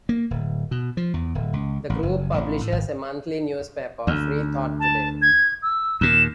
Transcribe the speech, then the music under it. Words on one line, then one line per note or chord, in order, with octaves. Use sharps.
The group publishes a monthly newspaper, "Freethought Today".
A#3
D1
B2
F3
E2
D1
C#2
A1
F#1
A1
A2
G#1
D2
A5
G#6
E6
D#2 A#2 E7